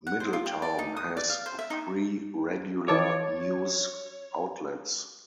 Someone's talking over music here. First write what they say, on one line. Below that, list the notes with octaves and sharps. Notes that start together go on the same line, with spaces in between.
Middletown has three regular news outlets.
F#5
C5
F4
G4
D5
D#4
D#6
D5
F5
C5
E5
D#4
E3 C#5 A5 D6